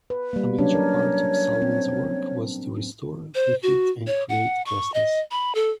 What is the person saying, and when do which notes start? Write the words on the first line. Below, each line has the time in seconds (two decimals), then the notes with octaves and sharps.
A major part of Salvin's work was to restore, refit and create castles.
0.10 B4
0.33 G3 A#3
0.58 F#3 C#4 D4 C#5
0.75 A#4
1.62 C4
3.35 C5
3.63 F#4
4.07 C#5
4.29 F#5
4.66 C#6
4.94 D#5
5.31 B5
5.55 A4